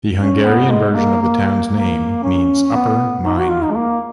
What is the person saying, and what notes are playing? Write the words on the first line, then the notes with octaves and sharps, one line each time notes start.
The Hungarian version of the town's name means "Upper Mine".
C#4
B3
G#3
G#3
A#3
A#3
A#3
C#4
B3
D#4
F#4
F4
D#4
G#3
A#3